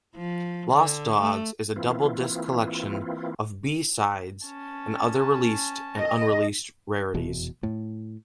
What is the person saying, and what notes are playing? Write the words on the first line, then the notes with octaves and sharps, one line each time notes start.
"Lost Dogs" is a double-disc collection of B-sides and other released and unreleased rarities.
F3
D3
A3
E3 A#3 C4 E4 F4
C#4 A5
D#5
F1 E2 B2
A2